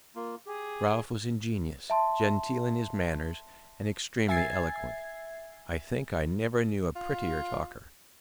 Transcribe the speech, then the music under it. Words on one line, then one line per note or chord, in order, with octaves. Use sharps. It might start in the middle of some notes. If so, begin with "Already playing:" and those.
Ralph was ingenious, genteel in his manners, and extremely eloquent; I think I never knew a prettier talker.
A#3 F4
G4 G#4
E5 A5 C6
E5 G#5 G#6 A6 C7
F4